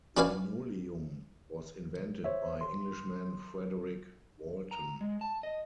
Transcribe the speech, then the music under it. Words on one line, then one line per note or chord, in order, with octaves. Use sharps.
Linoleum was invented by Englishman Frederick Walton.
C#4 F#4 B4 D5 F5 G#5
C5 C#5 E5
C6
A#5
G#3
A5
D#5